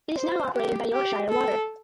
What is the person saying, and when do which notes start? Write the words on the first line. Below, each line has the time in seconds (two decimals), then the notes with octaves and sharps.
It is now operated by Yorkshire Water.
0.17 C5
0.54 G4
0.92 G4
1.30 A4